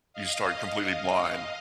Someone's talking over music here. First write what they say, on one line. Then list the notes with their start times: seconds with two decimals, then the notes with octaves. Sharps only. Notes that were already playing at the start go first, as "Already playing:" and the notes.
you start completely blind
0.13 D#5 F5